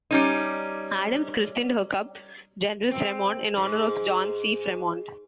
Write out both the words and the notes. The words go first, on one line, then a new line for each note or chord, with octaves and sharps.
Adams christened her cub General Fremont, in honor of John C. Fremont.
G3 C#4 D#4
C4
G#2